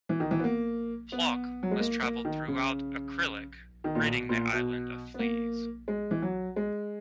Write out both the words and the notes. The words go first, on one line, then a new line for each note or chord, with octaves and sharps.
Plok must travel throughout Akrillic, ridding the island of fleas.
E3
D#3
E3
B3
A#3
B3
F#3
G#3
A#3
A#3
D#3
C#3
D#3
A#2
B2
A#2
B2
B3
A#3
G#3
E3
F#3
G#3